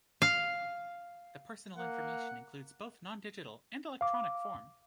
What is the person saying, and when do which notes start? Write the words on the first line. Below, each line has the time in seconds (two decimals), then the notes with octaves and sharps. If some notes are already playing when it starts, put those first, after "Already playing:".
The personal information includes both non-digital and electronic form.
0.22 F5
1.77 A#3 F#5
4.01 F5 D6